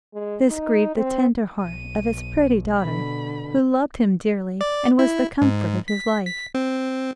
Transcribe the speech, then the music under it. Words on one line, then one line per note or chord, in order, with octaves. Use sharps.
This grieved the tender heart of his pretty daughter, who loved him dearly, and was the comfort of his life.
G#3
D#4
C4
B1 D#7
B2 D3 B5
D5
E4
G#2
B6
B6
C4